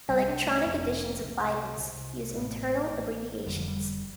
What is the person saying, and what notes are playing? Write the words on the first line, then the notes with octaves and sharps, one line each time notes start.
Electronic editions of Bibles use internal abbreviations.
C2 C3 G3
D4
A3
F1 F2 C3 C4
D4
C4
C2 C3
C2 C3
A1 A2 A3
A1 A2
F1 F2 D3 G3
F3
G3